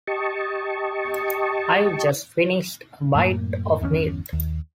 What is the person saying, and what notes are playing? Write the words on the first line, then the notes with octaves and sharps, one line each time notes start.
I've just finished a bite of meat.
G4 D#5 A5 C#6
F#2 A2 A#3
G1 E2 A#2 C#4
D#2